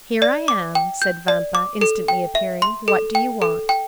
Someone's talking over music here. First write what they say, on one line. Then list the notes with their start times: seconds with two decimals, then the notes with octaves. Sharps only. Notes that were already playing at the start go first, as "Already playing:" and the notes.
"Here I am," said Vampa, instantly appearing; "what do you want?"
0.22 D5
0.48 D6
0.75 G5
1.02 G6
1.28 D5
1.55 D6
1.81 A4
2.08 G5
2.35 E5
2.62 C6
2.88 A4
3.15 G5
3.42 A4
3.69 G5